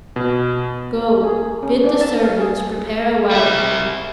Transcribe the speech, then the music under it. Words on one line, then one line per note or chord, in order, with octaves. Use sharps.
"Go, bid the servants prepare a wagon."
B2
G#4
C#4
D4
A5
F5
G#4
G3 E5